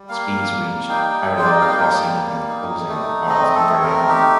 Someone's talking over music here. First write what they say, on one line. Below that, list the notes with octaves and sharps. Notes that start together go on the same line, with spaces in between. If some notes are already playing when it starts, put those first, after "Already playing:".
Speeds reached, parallel, crossing and closing, are often very high.
Already playing: G3
A#3 F5
G3
D#4 G5
G3
C5
D5
D#5
F5
A#3 G5
G3
D#4
A3
C4 D#5
A4
A3
A#4
D#4 G4